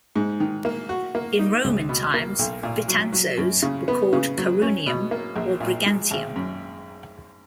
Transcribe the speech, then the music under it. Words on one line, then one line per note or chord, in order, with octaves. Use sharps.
In Roman times Betanzos were called "Carunium" or "Brigantium".
G#2
D#3
A#3
F#4
A#3
D#4
C#2
B2
A#3
B1
A#2
F#3
F#3
F#2
C#3
B3
C#3
F#3
C#4
B2
A#3
A#1
A#2
G#3
G#1
F#2